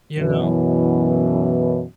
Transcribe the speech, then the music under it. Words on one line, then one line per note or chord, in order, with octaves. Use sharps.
You know?
F#2 B2 E3